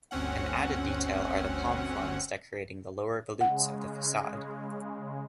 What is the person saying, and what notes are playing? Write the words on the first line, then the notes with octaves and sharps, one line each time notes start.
An added detail are the palm fronds decorating the lower volutes of the facade.
G1 D2 C4 C#4 F#5
C#3 G#3 F#5